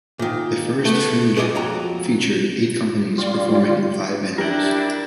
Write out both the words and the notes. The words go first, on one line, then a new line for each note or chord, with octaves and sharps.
The first Fringe featured eight companies performing in five venues.
A#2 D#3
A3 B3
G2 G#4 D5 D#5 G#5
F2 F#3 A#5
G3 F4
D4 E4 G4 A#4 G5